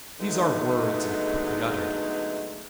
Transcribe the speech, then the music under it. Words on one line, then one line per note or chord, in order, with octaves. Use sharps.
These are words and quickly uttered.
D3 F#3 G#3 A3 B3 D#4